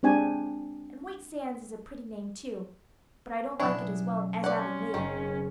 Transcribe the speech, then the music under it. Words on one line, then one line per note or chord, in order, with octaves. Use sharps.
And White Sands is a pretty name, too; but I don't like it as well as Avonlea.
G#3 C4 D4 G4 G#5
B2 F#3 C#4 D4 E4 C#5
C4 C#4 D5 F#5
F#1 D#3